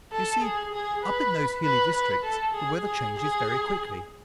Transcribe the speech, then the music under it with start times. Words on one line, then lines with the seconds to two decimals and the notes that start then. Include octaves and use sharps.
You see, up in those hilly districts, the weather changes very quickly.
0.12 A4
0.41 G#4
0.73 G#4
1.03 B4
1.64 B4
1.93 B4
2.23 A4
2.54 G#4
2.84 G#4
3.16 G#4